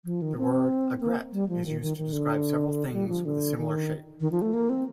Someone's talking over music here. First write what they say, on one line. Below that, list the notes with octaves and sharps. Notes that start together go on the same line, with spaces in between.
The word "aigrette" is used to describe several things with a similar shape.
F3
D#3
C4
A#3
G3
F3
D#3
D#3
D#3
D3
G3
F3
D3
D#3
D#3
F3
A3
A#3
C4